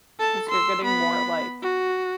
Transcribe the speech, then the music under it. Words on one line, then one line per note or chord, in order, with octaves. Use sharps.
'Cause you're getting more like,
A4 A5
C6 E6
B3 B5
F#4